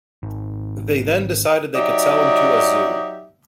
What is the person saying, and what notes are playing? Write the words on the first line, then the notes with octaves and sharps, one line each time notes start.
They then decided they could sell him to a zoo.
G#1
F#3 D#4 G4 D5 E5